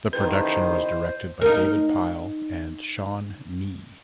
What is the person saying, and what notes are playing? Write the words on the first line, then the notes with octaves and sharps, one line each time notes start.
The production was directed by David Pyle and Sean Mee.
A1 C3 D#3 E4 B4 C5 D#5
D#4 A#4